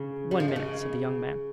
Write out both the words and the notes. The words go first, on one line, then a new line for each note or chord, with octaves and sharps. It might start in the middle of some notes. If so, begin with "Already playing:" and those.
"One minute," said the young man.
Already playing: C#3
G3
F3
D#3
C#3